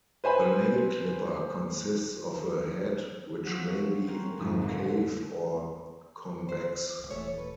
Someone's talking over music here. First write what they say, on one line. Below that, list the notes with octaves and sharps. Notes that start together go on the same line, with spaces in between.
The nail clipper consists of a head which may be concave or convex.
B4 C5 G#5 B5
F3 F#3 F#4 G#4
F#3 C4 C#4 A#4
G#1 F2 G#2
C2 F#2 B2 D3
C5
C#2
D#1 E3 A3 C#5
A4 B4